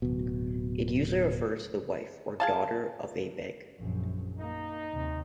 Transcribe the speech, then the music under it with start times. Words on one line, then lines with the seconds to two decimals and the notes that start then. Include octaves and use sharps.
It usually refers to the wife or daughter of a "beg".
0.02 D1 B2
2.40 G#4 F5 A5
3.78 A#1 F#2
4.38 A#3 D#4
4.91 D#2 C3